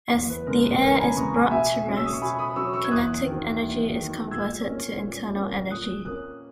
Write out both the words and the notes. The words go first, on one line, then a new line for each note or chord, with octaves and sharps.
As the air is brought to rest, kinetic energy is converted to internal energy.
E2
B4
C#3 G#3 A#4
B4
E2 A#4 C#5
A#5
G#5 B5
C#3 G#3 A#5 C#6
G#5 B5
B2 E5 G#5
F#3 C#4
E6
D#6
C#6
B2 G#5 B5
B5 D#6
F#3 C#4 C#6 E6
C#6 E6
G#6
E2 D#6 F#6
D#3 F#3
E2
D#3 F#3
A#2 E6 G#6
A#3 C#4
A#2
A#3 C#4
A#2 D#6 F#6
A#3 C#4 D#6 F#6